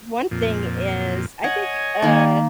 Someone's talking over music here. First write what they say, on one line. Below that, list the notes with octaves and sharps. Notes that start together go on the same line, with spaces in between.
one thing is I think, uh,
F2 A#2
C#5 D#5 F#5 G#5
D#3 A#3